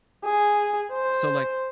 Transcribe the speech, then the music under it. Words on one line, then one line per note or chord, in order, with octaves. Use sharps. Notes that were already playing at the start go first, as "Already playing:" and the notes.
So like
G#4
C5